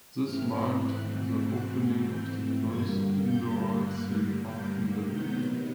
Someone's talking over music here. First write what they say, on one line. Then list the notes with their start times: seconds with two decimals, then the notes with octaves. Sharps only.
This marked the opening of the first indoor theme park in Belgium.
0.23 G#2 E3 A3 C4 F6
0.83 F#6
1.43 F#6
2.04 G6
2.64 G2 D3 G3 A#3 G#6
3.23 G6
3.83 F#6
4.45 G6
5.04 C3 D#3 F#3 B3 G6